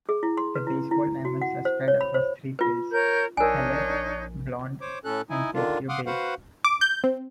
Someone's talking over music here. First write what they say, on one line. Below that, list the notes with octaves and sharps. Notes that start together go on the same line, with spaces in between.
The baseball diamonds are spread across three fields: Halleck, Blonde, and Papio Bay.
G#4
E4
C6
B4
E4
E4
F#4
F#5
C5
C#5
B5
C5
F4 B4
A#4 C#5 G6
A#1 D4 D#4 A#4 C#5 G#5
C5 C#5 D6
A2 C#4 A4 F#6
D#4 E4 G#5
D3 D#3 D4 F4
F5 F#5 C6 D6 D#6 F6
F#4 B4 C5 F5 F#5
D6
G6
C4